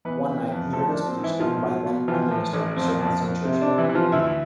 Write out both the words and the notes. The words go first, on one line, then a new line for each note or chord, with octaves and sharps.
One night he heard a speech given by then-Prime Minister Sir Winston Churchill.
E3 B3 B4
E3
F2
F3 A3 A4
D4
F3
C4
G#2
E3 E4
B1 F3 F4
B2
B2
E3 F3 F4
A2
A1
F2 C4
F2
F2
C3 C4
C3 D4
E3 E4
E3
F3 F4
D2 E4 E5